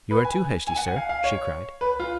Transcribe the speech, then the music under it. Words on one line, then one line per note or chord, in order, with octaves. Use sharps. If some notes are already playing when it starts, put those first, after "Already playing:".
"You are too hasty, sir," she cried.
B4
G#5
G#5
F#5
G#5
F5
F5
C#5
B4
F4